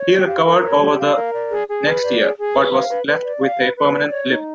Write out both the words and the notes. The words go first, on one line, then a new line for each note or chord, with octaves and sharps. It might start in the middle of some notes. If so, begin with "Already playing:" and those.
He recovered over the next year, but was left with a permanent limp.
Already playing: C#5
G4
F5
A#4
C#5
G4
F5
A#4
D5
G#4
G#4
B4
D5
G#4
G#4
B4
F5
B4
B4
D5
F5
B4
B4
D5
C#5
D#4